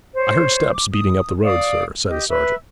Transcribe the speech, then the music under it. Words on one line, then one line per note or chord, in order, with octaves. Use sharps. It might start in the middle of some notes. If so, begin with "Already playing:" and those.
'I heard steps beating up the road, sir,' said the sergeant.
C5 C#5
D6
D#6
D5 F5 D#6
G4 D#5
B4 E5